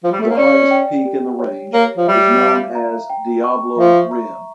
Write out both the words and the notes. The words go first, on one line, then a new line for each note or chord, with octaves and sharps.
The highest peak in the range is known as Diablo Rim.
F3
G3
A3
A#3
C#4 D5
G5
G4
C#5
A#3 C#5
F3
G3 E5
F5
A#5
G5
C#6
F3 E5
A#5